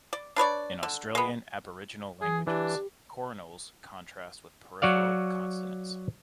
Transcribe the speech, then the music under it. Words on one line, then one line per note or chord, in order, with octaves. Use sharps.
In Australian Aboriginal languages, coronals contrast with peripheral consonants.
D5
D4 B4 C#5 D5
D3
G#3 B3
E3 G#4
E3 D4 G4
F#3 F#4 D5 F5